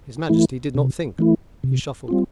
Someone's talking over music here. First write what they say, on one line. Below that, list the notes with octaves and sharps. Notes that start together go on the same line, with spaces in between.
His Majesty did not think; he shuffled.
E3 A3 E4
C3
E3 A3 E4
C3
G3 C4 F4